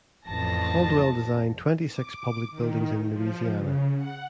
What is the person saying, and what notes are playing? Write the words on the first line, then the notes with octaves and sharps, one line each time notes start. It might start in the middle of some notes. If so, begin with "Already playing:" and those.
Caldwell designed twenty-six public buildings in Louisiana.
A1 F2 A5 A#6
D6
D#3
F3
C#3
F#5